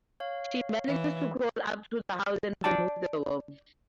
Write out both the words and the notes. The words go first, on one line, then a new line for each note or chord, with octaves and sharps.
She manages to crawl up to the house and remove the worm.
C#5 F5
E3
D5 G5 A5